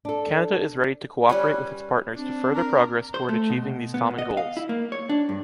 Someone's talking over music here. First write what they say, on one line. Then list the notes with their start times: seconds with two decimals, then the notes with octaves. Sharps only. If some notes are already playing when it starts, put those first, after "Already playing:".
Canada is ready to cooperate with its partners to further progress toward achieving these common goals.
0.05 D4 A4
1.29 G3 C#4 B4
2.16 C4 D4
2.55 A#4
3.14 C5
3.29 A3
3.50 B2
3.94 B3
4.18 D#5
4.37 F5
4.57 E4
4.69 A#3
4.92 C#5
5.09 D4
5.29 G2